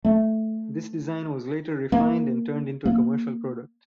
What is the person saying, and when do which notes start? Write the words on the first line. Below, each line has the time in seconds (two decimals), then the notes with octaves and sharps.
This design was later refined and turned into a commercial product.
0.05 A3
1.92 A#3
2.85 A#3